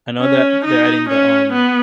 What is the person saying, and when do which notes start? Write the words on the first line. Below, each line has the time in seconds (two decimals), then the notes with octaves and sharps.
I know that they're adding the, um,
0.21 C#4
0.65 D#4
1.09 C#4
1.53 B3